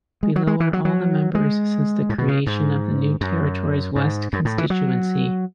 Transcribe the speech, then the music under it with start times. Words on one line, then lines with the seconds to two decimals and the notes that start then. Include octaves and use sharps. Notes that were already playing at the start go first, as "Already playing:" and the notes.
Below are all the members since the creation of the New Territories West constituency.
0.23 G#3
0.36 F#3
0.47 G#3
0.60 E3
0.73 F#3
0.85 F#3
1.35 G#3
2.09 A2
2.18 B2
2.28 C#3
2.47 G#2
3.21 F#2
3.96 G#2
4.33 F#2
4.45 A2
4.58 E3
4.70 F#3